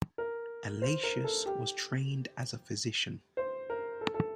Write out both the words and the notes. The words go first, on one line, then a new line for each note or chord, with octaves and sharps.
Allatius was trained as a physician.
A#4
C5
A#4
A4
G4
C5
A#4
A4
A4